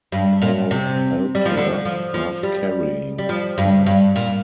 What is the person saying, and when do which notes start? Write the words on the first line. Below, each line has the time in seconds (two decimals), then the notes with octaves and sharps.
Paul helped her, half-carrying her.
0.12 G2
0.42 A#2
0.71 C3
1.35 G3
1.45 F3
1.57 D3
1.85 F3
2.14 F3
2.43 G3
3.18 G3
3.29 F3
3.58 G2
3.86 G2
4.16 A#2